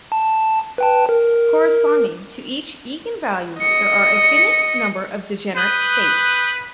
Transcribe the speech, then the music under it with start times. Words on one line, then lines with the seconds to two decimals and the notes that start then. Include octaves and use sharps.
Corresponding to each eigenvalue there are a finite number of degenerate states.
0.12 A5
0.78 B4 G5 A5
1.09 A#4
3.60 D#5 C#7
5.57 B4 D#6 F#6 G6